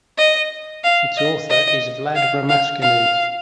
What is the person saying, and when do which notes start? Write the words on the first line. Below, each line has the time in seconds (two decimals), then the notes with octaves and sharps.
Its author is Vlad Romascanu.
0.18 D#5
0.84 F5
1.17 D#5
1.50 D#5
2.15 F5
2.49 F5
2.82 F5